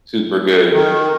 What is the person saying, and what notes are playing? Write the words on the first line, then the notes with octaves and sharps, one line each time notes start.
super good.
D#3